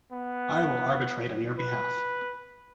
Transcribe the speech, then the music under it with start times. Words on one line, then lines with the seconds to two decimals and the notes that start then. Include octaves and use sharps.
I will arbitrate on your behalf.
0.12 B3
1.58 B4